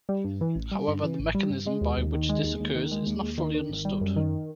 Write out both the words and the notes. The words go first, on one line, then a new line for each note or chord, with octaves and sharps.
However the mechanism by which this occurs is not fully understood.
G3
G2
E3
A1
G3
G2
E3
A1
G3
G2
G#3
D#2
D#2
D#3
G#3
D#2
D#2
D#3
G#3
D#2
D#2
D#3
D#3
G#1
G3
F#2
D#3